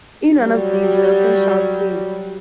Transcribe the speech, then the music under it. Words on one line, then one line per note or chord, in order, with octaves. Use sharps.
In one of these, Nielsen shouts, Hey!
F#3 G3